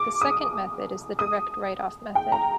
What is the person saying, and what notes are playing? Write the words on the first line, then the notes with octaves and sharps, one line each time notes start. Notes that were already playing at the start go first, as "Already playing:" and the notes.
The second method is the "direct write-off method".
Already playing: D6
D#6
D#6
G5
A#5